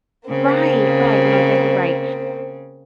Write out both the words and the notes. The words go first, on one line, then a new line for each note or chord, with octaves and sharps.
Right, right, no, yeah, you're right,
C#3 A#3 C4